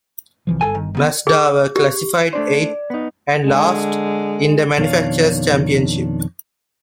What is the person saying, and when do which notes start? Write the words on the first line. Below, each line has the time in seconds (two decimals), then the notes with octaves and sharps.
Mazda were classified eighth, and last, in the manufacturer's championship.
0.47 C2 E3 F3
0.61 G1 A4 G#5
0.75 D#3
0.95 D#3 B3 D#5
1.27 G#4
1.76 G4
2.33 A3 D4 C5 D5
2.90 B3 D#4
3.45 D3 G#3
4.78 F2 B2 D#3 D4 C#5 F5